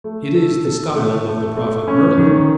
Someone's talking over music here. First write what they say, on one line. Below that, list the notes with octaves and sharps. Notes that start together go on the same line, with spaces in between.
It is the style of the prophet Merlin.
A3
A4
A4
A3
A3
A3
C#4
D#3